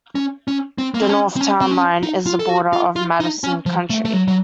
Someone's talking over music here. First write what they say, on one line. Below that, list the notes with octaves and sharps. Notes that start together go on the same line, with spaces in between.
The north town line is the border of Madison County.
C#4
C#4
C4
A#3
C4
C#4
C4
C#4
C4
C#4
D#4
F4
A4
F#4
F4
F4
D#4
C#4
F3
A3
A3
F#3
F#3